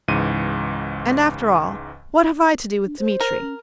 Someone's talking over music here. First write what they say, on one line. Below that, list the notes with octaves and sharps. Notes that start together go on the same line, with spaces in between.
And after all, what have I to do with Dmitri?
C#2 G#2 E3 D#7
D4
C5
A#4
C#4